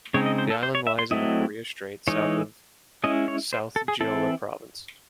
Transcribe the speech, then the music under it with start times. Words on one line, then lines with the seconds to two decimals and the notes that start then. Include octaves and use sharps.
The island lies in the Korea Strait, south of South Jeolla Province.
0.14 C#3 G#3 C4 D#4 C#5
0.26 D#5
0.38 C5
0.50 A4
0.63 C5
0.75 C#5
0.87 E5
0.99 C6
1.11 F#3 A3 C4 E4 D#5
2.08 E3 G#3 D#4 C#5
3.04 G#3 C#4 E4 D#5
3.28 C#5
3.53 C5
3.76 A4
3.88 G#4
4.01 E3 C4 E4 A4